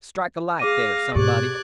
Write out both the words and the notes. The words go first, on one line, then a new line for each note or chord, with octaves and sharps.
Strike a light there, somebody.
G#4 F5 D6 A#6 D#7
G#2 B2 G4 C5 D5 F#6 G#6